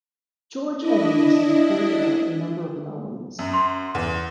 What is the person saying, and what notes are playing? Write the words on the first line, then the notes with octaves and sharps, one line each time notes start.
George Edmundson pointed out a number of anomalies.
D4 E4 D#5
F#2
C6
E2